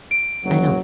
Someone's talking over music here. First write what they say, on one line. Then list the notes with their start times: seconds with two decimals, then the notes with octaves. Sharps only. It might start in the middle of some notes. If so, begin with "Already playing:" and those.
I don't
0.11 D7
0.44 F#1 F#3